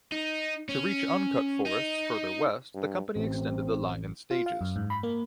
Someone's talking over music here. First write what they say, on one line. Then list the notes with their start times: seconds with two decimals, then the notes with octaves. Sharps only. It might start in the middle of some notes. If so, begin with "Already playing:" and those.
To reach uncut forests further west, the company extended the line in stages.
0.12 D#4
0.69 C#4
1.66 D#4
2.75 G2
3.16 A1 C4
4.31 F4
4.46 F5
4.61 F#2
4.76 G#2
4.90 B5
5.03 A#3